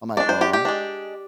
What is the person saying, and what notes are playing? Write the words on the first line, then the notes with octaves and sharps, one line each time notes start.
I'm, like, "Mom,
G#3 D4 D5
C5
G4
G4
G#3 D4